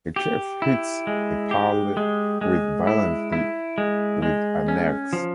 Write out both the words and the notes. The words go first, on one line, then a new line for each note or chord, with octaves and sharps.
A chef hits Epalle with violently with an axe.
G4
E4
G#3
G4
G#3
G#3
E4
E4
G#3
G#3
C#4
F3